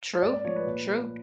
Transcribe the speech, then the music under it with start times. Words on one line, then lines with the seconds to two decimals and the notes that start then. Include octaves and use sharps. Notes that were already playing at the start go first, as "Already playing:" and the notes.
True, true.
0.14 C#5
0.22 G#2 D5
0.33 D5
0.45 F3 A3 C#5
0.56 B4
0.66 A#2